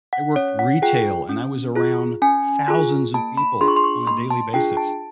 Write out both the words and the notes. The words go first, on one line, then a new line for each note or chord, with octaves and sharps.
I worked retail, and I was around thousands of people on a daily basis,
F#5
C#4 C#5
F#5
F4 G#4 G5
C#4
F4 G#4
C#4 G#5
F4 G#4
A#3 A5
B5
D4 F4 G#4 C6
C#6
C6
C#6
A#3 C6
A5
D4 F4 G#4 G5
A5